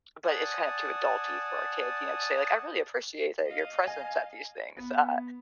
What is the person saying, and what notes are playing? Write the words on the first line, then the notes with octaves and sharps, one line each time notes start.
but it's kind of too adulty for a kid, you know, to say, "I really appreciate that your presence at these things," uh,
D5 F#5 G#5 A5 D#6
D#5 F5
G#5
B3